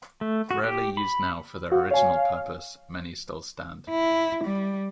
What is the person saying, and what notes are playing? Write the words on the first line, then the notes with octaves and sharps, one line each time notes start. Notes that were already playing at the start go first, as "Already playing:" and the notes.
Rarely used now for their original purpose many still stand.
A3
F#4
G4
B5
F#4 F5
C#5 F5 G#5
E4
G3